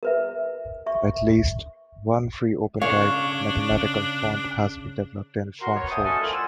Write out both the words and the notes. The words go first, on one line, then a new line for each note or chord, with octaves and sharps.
At least one free OpenType mathematical font has been developed in FontForge.
A#4 B4 E5
E5 C#6
C#3 D4 C#5 F5
F#4 A#4 C6
B3 C#5
E5 G5 A5 D#6
A3 C#4 F#4 A4 D#5 G#5
A#2 F3 G3 C4 D5 F5
F#5 G#5 C6 D#6 E6